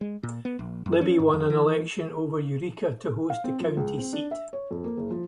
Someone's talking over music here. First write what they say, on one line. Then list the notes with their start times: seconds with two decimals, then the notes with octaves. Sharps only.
Libby won an election over Eureka to host the county seat.
0.01 G#3
0.23 A#2
0.45 B3
0.59 A#1
0.86 F#2
1.01 C#4
1.19 G#2
1.34 F2
1.50 E3
3.30 F5
3.44 C4
3.60 F3
3.77 C#2
3.98 C4
4.13 D4
4.31 E5
4.53 C#5
4.71 F2
4.84 A#3
4.97 F#1
5.11 F3